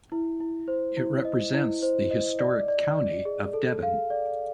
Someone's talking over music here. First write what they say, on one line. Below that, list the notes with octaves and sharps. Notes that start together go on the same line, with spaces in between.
It represents the historic county of Devon.
E4
E4
C5
E4
D#5
E4
C5
D#5
D5
D5
D5
G#4
A4
F5
D5